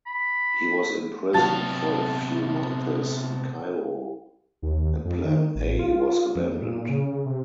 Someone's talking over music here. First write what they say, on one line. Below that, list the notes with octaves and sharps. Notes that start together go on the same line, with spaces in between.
He was imprisoned for a few months in Cairo and Plan A was abandoned.
B5
C3 F#3 B3 D4 F#4 F5 A5
D#2
F2
D#3
A1
F4
F2
A#2
C#3
C3